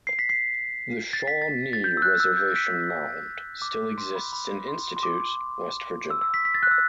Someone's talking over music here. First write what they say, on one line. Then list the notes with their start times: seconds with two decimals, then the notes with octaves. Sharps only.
The Shawnee Reservation Mound still exists in Institute, West Virginia.
0.07 C7
0.19 B6
0.29 C7
1.13 A6
1.27 B6
1.42 A6
1.73 A6
1.84 G6
1.97 E6
2.02 F#6
2.20 E6
2.32 F#6
2.37 G6
2.49 A6
2.56 B6
2.90 E6
3.62 D6
3.98 C6
4.15 B5
4.33 B5
4.68 C6
4.97 C6
5.03 D6
6.10 E6
6.22 E6
6.34 B6
6.45 B6
6.54 A6
6.63 F#6
6.71 E6